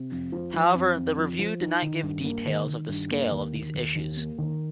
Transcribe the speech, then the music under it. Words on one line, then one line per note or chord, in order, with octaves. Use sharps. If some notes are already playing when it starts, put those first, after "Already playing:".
However, the review did not give details of the scale of these issues.
Already playing: C3
F2
F3
F3
F2
F2
F3
F3
D#4
D#3
G2
A#3
D#3
D#3
G2
A#3
D#2
D#3
D#2
D#2
A#3
D#3